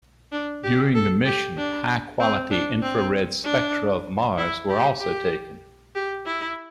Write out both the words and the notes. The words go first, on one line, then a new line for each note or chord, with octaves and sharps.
During the mission, high quality infrared spectra of Mars were also taken.
D4
G4
A4
G4
D4
C4
D4
C4
D4
E4
G4
G4
G4
E4